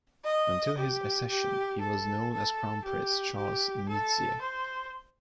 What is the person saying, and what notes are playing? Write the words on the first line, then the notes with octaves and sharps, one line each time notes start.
Until his accession, he was known as Crown Prince Charles Ndizeye.
D#5
G4
G4
A4
A4
G4
G4
A4
C5